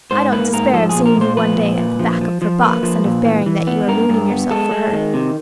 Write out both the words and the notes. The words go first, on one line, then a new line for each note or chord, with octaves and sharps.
I don't despair of seeing you one day at the back of her box, and of bearing that you are ruining yourself for her.
G#2 C5
A#3 B4
G#2 A#4
F3 A4
G#4
A#2
A#4
A#2 C5
F3 B4
A#2
A#2
F3
F3
F3
A#3 B4
F3
A#2
E3
E3
B3
G2 A#4
G2
B3
G#3 A4
G#3
D#3
C3